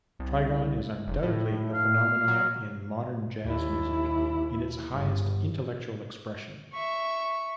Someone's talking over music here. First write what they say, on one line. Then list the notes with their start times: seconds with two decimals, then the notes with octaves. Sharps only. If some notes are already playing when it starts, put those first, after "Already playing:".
Trigon is undoubtedly a phenomenon in modern jazz music in its highest intellectual expression.
0.19 C2
1.07 F1
1.23 A2
1.74 F5
2.28 F#3
3.44 D#2 E4
4.91 G1
6.73 E5 C#6